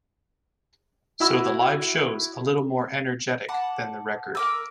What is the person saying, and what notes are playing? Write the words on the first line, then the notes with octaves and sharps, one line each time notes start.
So the live show's a little more energetic than the record.
E4 F#4 B5 E6
F#5 A5 D6
A#4 D6 E6